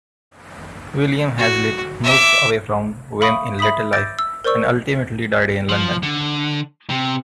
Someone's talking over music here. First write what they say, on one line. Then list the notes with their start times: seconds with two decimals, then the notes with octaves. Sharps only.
William Hazlitt moved away from Wem in later life and ultimately died in London.
1.38 F#4
2.04 E5 D6
3.21 E5 F5 B5 C#6 D#6
3.59 E5 B5 C6 D#6 B6
3.92 D6 E6 G6 A6 A#6 D7
4.19 E6
4.44 A#4 C5 D5 C#6 E6
5.69 F3
6.03 D3
6.90 C3